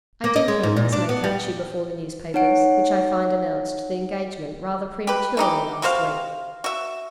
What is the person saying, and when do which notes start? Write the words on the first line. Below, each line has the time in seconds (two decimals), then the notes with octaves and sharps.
I do hope this may catch you before the newspapers, which I find announced the engagement rather prematurely last week.
0.24 A#3
0.36 D#5
0.48 G#3
0.63 G#2
0.77 A#2
0.92 D4
1.09 B3
1.24 G3
2.34 D#4 C#5 F#5 D7
5.07 G4 B4
5.37 E3 D#4 G4
5.82 C3 F#4 C5 F5
6.64 F#4 E5